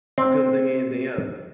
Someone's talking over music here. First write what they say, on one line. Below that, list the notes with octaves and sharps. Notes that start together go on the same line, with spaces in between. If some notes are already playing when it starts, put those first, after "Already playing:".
I couldn't think anything else.
C4